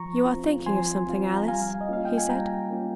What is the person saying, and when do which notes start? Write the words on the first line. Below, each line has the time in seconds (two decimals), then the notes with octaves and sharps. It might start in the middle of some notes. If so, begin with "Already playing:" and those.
"You are thinking of something, Alice," he said.
Already playing: F3 A#5 C#6
0.26 C4 F4
0.66 F3 G#5 C6
1.07 C4 F4
1.36 A#5
1.48 G3 F5 G#5
1.81 D#5
1.89 A#3 C#4 F4 F5
2.05 G5
2.18 G#5
2.30 G3 G5 A#5
2.70 A#3 C#4 F4